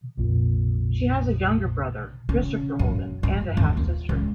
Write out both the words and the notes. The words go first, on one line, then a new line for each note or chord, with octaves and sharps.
She has a younger brother, Christopher Holden, and a half-sister.
A#1 F2 A#2
C#3
F#2
G2
D#2
F4
C#2